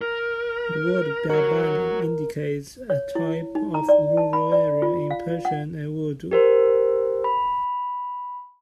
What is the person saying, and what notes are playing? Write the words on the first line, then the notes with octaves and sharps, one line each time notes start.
The word "Biabani" indicates a type of rural area in Persian and Urdu.
A#4
F#4 A#4 C#5
C#5
E4
D#4
A#5
D5
A5
B5
D5
F4
F5
F#5
G4 A#4 C5
B5